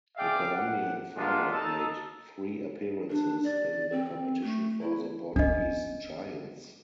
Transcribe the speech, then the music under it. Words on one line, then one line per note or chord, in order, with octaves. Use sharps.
The Colombian forward made three appearances in the competition for the Portuguese giants.
G#4 D5 E5 F5 G5 D6
F#5
G#3 A#3 B3 D4 F4
D#4 A4 A5
D4
D5
C4
A3
E4
B3 C#4 D4 D#5